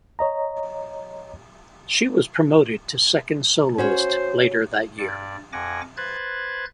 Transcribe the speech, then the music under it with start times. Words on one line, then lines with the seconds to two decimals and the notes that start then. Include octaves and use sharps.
She was promoted to second soloist later that year.
0.19 C#5 D#5 A#5
3.78 C#4 F#4 C5 C#5
4.98 G2 D5
5.53 F2 F#5 G#5 D6 A#6
5.97 B4 C5 F#6 G#6 A6